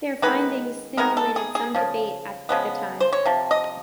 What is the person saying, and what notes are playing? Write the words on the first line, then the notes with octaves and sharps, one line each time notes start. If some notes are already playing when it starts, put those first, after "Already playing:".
Their finding stimulated some debate at the time.
D#3 G#3 B3 B4
D#3 G#3 B3 A#4
A4
G#4
G#4
C#3 F3
C#3 F3 G#3 B3
C5
C#5
C3 F3
D#5